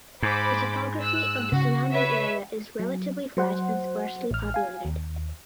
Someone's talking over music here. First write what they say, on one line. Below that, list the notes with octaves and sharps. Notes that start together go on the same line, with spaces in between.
The topography of the surrounding area is relatively flat and sparsely populated.
G#2 C5 B5 D6
E6 F#6
C#3 F#4
B4 C#5 E5
F#3
F#3 C5 F#5
A1 F6
F5 G#5
D#2